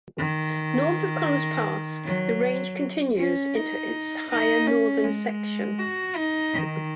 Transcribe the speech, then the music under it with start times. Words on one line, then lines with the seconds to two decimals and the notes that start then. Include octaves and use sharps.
North of Connors Pass the range continues into its higher northern section.
0.18 D#3
2.05 F#3
3.17 C#4
3.55 D#4
4.29 D#4
4.66 C#4
5.04 G#3
5.78 F#4
6.16 D#4
6.53 D#3